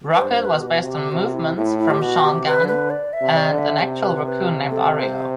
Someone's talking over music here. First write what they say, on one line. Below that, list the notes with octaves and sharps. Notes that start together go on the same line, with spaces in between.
Rocket was based on movements from Sean Gunn and an actual raccoon named Oreo.
B4
G2 C5
B4
B2
G4
F#4
C3
G4
C3 F#4
E4
A2 E4
E4
G4
B2 F#4
G4
C3
B4
D3
B4
D5
E5
C3
D5
D3
E5
C3 C5
B4
B4
A4
C5